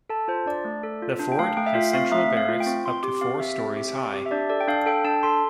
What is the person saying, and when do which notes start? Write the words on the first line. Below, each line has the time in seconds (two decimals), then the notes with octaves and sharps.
The fort has central barracks up to four stories high.
0.10 A4 A5
0.28 F4 C5
0.46 D4 D5
0.65 A3
0.83 A4
1.02 F4
1.20 D4
1.32 G5
1.39 A3 F5
1.57 A3 G5
1.66 E5
1.74 F4 F5
1.93 C4 F5
2.12 A3 E5
2.30 A3
2.37 F5
2.49 F4
2.60 G5
2.66 C4
2.85 C4 C6
3.03 G4 D6
3.21 C4 F5
3.40 G4 E5
3.58 C4
3.77 G4
3.96 C4
4.14 G4
4.26 E5
4.31 D4 D5
4.49 A4 D5
4.61 G5
4.68 D4 F5
4.86 A4 G5
5.04 D4 A5
5.23 A4 C6